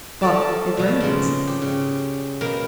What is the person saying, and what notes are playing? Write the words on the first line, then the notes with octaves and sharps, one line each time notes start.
"But it rains."
F3 A4 D5 A5
B2 F3 A5
G#2 C#3
G4
C#3
B2 A#3 A#4 G5